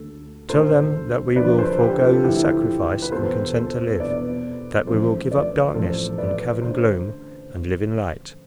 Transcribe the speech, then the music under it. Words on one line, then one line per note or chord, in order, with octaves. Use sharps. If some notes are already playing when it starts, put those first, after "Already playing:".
Tell them that we will forego the sacrifice and consent to live; that we will give up darkness and cavern gloom and live in light.
Already playing: D2 D3 A3 A4
D2 D3 A3 A4 C5
D2 D3 F3 B4 D5
A4 C5
G4 B4
F4 A4
D2 D3 F3 E4 G4
B4
E2 B2 B3 A4 C5
A4 C5
E2 B2 B3 B4 D5
A1 A2 F3 A3 A4 C5
B4 D5
A1 A2 F3 A3 A4 C5
B4 D5
D3 A3 C5